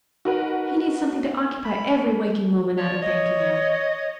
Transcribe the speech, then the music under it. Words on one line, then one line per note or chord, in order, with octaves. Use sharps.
He needs something to occupy every waking moment out of banking hours.
D#4 F#4 A#4 B4
B5
C#5 D5
C#5 D#5